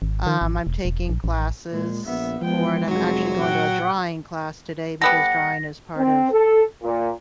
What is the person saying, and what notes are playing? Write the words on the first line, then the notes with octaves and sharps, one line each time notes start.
Um, I'm taking classes for it. I'm actually going to a drawing class today because drawing is part of
G#1
D#3
G#1
E1
E1
A#1
A1
A#2 G#3
A#1 B3 E5
F3 G#3 B3 G5
F1 F#3 C4 F#4 G#4
A#2 F#5 G5
G3 B3 A4 F#5 A#6
C4
A4
A#2